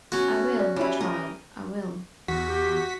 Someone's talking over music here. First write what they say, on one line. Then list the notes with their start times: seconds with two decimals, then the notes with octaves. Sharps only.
I will, my child, I will.
0.12 B3 C#4 F#4
0.59 D5
0.76 G3 C#4 E4 B4
1.01 G4 A#4 D#5
2.28 E2 F#4 B6
2.48 G4